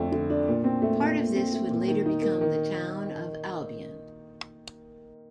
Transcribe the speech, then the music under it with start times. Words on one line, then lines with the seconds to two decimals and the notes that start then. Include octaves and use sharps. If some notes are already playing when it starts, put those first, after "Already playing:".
Part of this would later become the Town of Albion.
Already playing: F2 D3 A3 D4
0.12 D3
0.30 D4
0.48 A#2
0.64 C4
0.82 A3
0.99 A#2
1.18 A#2
1.36 C4
1.53 A3
1.70 A#2
1.88 D#3
2.06 D#4
2.22 A#3
2.41 D#3